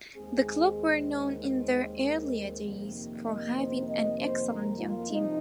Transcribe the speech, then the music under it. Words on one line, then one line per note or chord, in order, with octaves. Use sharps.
The club were known in their earlier days for having an excellent young team.
D#2 D#3 G#3 C4 G#4
A#4
F2 C3 D#3 A#3
D#5
C5
D#5
C5
A#4
F4
C3 F3 D#4